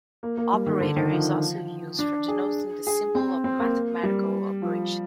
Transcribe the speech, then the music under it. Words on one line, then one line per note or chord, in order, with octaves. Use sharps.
Operator is also used for denoting the symbol of a mathematical operation.
A#3
A#3
G3
D#3
D3
D#3
F3
D4
G#4
G#4
C4
C4
A#3
G3
F3